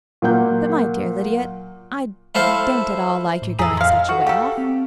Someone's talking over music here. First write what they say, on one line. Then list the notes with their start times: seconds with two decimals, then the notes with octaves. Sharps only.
But my dear Lydia, I don't at all like your going such a way off.
0.22 A#2 F#3 A#3 F#5 G6
2.35 E4 A4 C5 F5
3.42 A2
3.59 F2 G#4 A4 A#5 B6
3.77 G#3 F5
4.09 F#4 A4 F#5
4.27 G4 A4 F5
4.58 C4